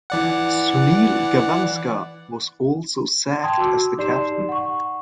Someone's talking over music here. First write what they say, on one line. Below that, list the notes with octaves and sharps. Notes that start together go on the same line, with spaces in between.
Sunil Gavaskar was also sacked as the captain.
E3 D5 F#5
G5 A5 C6 D#6 G#6
F#4 A5 D6 E6
D#4 G4 D5 C6 C7 E7
F#5 C#6